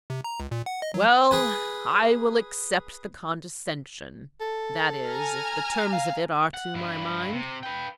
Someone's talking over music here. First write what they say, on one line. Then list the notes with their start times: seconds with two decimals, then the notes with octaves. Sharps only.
"Well, I will accept the condescension--that is, if the terms of it are to my mind."
0.10 C3
0.24 A#5
0.40 C#2
0.51 A#2
0.66 F#5
0.82 D#5
0.94 F#3
1.31 G#4 B4 G#5
4.41 A4
5.07 G#5 A#5 F6
5.93 F5
6.54 F#5
6.75 G2 E4
7.33 C3
7.63 B4 G5